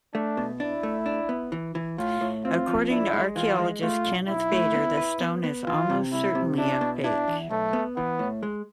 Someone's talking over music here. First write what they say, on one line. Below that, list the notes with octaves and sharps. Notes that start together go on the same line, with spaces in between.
According to archaeologist Kenneth Feder, the stone is almost certainly a fake.
A3 D4
B2
D4 E4
A3
D4
B3
E3
E3
A2 F4
A2
C4 F4
F3
D4 E4
G#3
E3 F4
G#3
A3 F4
B1
B1 E4
A3
B3
B4
B3
B3
E3 F4
C3
C2 E4
C3
D4 E4
B2
D4 E4
E2
B1 A3
B3
E3 B3
A2
G#3